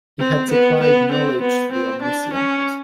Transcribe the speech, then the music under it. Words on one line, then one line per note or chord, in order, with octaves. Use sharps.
He had supplied knowledge to the omniscient.
C4
B3
B3
C4
B3
C4
D4
C#4